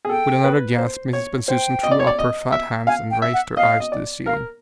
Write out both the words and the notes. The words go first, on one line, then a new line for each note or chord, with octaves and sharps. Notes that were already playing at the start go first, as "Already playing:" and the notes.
With another gasp Mrs. Bensusan threw up her fat hands and raised her eyes to the ceiling.
G#4
A4 G5
B4
C5
C#5
C5 G5
D#5
D5
C#5
D5
D#5
E5
F5 G#5
G5
E5
F#5
D#5 F5
D#5
D5
A#4 F5